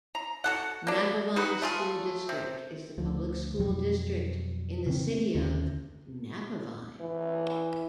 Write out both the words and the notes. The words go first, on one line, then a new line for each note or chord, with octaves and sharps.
Napavine School district is the public school district in the city of Napavine.
A#5
F#4 A4 F#5
A#3 D4
D#4 F#4 B4
A3 F4 G#4
C3
D2 F3
F2 B2 F#3 G3
C#3 E3 C4
A3
D#2 D3 C#4
E3